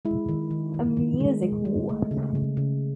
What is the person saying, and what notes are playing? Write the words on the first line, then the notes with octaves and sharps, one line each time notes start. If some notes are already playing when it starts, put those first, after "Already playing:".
A Music War.
G#3 E4
D#3
D#3
D#3
D#3
G#3
G#3
G#3
A3
C#3
C#3
C#3